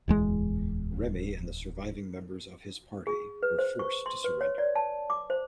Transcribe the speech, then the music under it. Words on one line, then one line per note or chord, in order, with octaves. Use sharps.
Remey and the surviving members of his party were forced to surrender.
D1 E2 G#3
G#4
B4
C5
C#6
C6
B4
C#5
D5
A5
D6
C5